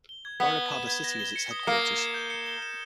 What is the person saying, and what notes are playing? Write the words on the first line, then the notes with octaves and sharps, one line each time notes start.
Baripada city is its headquarters.
G7
G#6
B3 B6
G7
E7
G#6
A#6
G7
C#7
D#6
A#3 C#7
G7
E7
G6
C#7
G7
E7